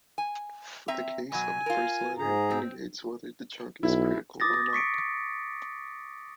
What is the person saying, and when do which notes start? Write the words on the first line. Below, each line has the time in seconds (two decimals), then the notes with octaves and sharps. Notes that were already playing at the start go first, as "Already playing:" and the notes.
The case of the first letter indicates whether the chunk is critical or not.
0.18 G#5
0.88 C4 E5 A#5
1.32 B2 F#3 G#5
1.66 F4 A#4
2.18 G#2 G#4 A#5
2.51 C4
3.83 B1 E4
4.40 D6 D#6 A6 A#6
4.73 C#6 B6 C#7 D7